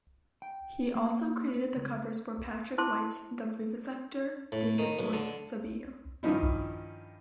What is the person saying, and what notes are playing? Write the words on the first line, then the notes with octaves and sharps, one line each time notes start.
He also created the covers for Patrick White's "The Vivisector", David Storey's "Saville".
G5
A#3
C#2
E4 C5 A5 C6 D6
A2
D#3
B1
D3
G2 D#3 F3 C#4 D#4 E4